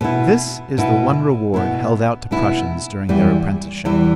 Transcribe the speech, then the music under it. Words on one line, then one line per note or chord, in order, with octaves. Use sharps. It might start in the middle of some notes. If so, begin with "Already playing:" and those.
This is the one reward held out to prushuns during their apprenticeship.
B2 B3 E4
B2 B3 E4
B2 B3 E4
B2 B3 E4
E2 E3 G3 E4
E2 E3 G3 E4